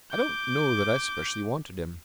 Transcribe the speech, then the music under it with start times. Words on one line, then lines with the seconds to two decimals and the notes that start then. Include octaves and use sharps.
I don't know that I specially wanted him.
0.11 D6 G6